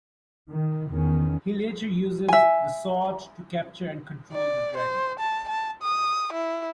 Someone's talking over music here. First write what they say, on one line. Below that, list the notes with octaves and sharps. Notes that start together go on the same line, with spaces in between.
He later uses the sword to capture and control the dragon.
D#3
E2 D#3 C#4
E5 G#5
D5
C5
A5
A5
D#6
E4